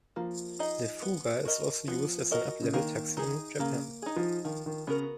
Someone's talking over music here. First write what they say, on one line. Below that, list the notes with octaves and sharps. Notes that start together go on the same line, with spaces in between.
The Fuga is also used as an uplevel taxi in Japan.
F3 A#3
D#4 G#4 D#5
B3
F#4 A#4 D#5
F3 B3
F#4 A#4 D#5
C#3
D#3 A#3
D#4 G#4
C#3 A#3
D#4 G#4
F3
D#3 F3
D#3
C#3 B3 F#4 A#4